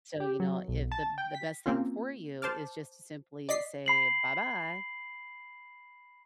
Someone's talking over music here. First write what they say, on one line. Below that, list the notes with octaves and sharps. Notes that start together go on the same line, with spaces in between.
So, you know, if the the best thing for you is just to simply say, "Bye-bye."
G4
F#3
B1
A5
G5
B6
A#3 C4 C#4 F4
C5 A5 D6 F6
D5 D#5 B6 C7
B5 C7 F#7